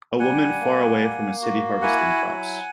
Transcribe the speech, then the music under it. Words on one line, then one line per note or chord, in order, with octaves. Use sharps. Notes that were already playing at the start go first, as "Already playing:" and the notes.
A woman far away from a city harvesting crops.
G3 F#5 G#5
A#3
A#3
F#4
E4 F#5 G#5
F#3